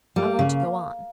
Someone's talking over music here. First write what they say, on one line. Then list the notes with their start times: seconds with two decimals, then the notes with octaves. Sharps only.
"I want to go on."
0.16 G3 A#3
0.39 C#3